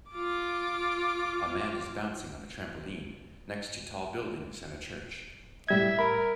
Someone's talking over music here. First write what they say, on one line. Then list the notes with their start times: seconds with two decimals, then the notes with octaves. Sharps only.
A man is bouncing on a trampoline next to tall buildings and a church.
0.11 F4 D6
5.69 A2 G3 E5 G#6
5.99 A#4 B5